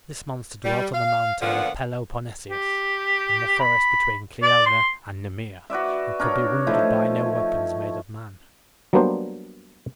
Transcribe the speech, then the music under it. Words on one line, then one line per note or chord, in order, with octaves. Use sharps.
This monster dwelt on the mountain of Peloponnesus, in the forest between Kleona and Nemea, and could be wounded by no weapons made of man.
G3
F5
A#2 D3 F3 B3 F5 F#5
G4
B5
D5
C6
F#4 B4 D5 E5
D4 A#4 C#5
F3 A3 D#4 E4
F#3 G3 A#3 B3 D4 C5